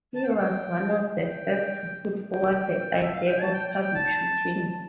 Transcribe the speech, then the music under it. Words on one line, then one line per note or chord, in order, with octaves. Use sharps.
He was one of the first to put forward the idea of public shootings.
A5
G5
F5
G5
G5
G5
E5
F5
G5
A5
G5
G5
G5
A5